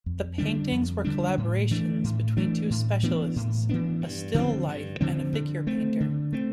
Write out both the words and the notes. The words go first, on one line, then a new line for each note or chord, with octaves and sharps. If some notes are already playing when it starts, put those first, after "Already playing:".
The paintings were collaborations between two specialists: a still life and a figure painter.
F2
D3 G3 D4
F2
D3 G3 D4
A2
E3 A3 D4
A2
E3 A3 D4
A2
E3 B3 D4
A2
E3 B3 D4
G2
D3 F3 C4
G2
D3 F3 C4
D3
A3 C4
D3
A3 C4